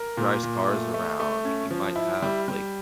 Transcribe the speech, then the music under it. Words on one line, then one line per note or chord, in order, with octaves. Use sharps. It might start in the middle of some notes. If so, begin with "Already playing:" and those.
drives cars around, he might have, like,
Already playing: A#4
A#2
A#2
A3
A3
A3
C#4
F3
E4
G3
G3